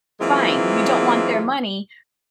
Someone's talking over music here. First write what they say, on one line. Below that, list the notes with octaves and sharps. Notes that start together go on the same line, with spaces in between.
fine. You don't want their money.
E3 F#3 G#3 A#3 C4 F4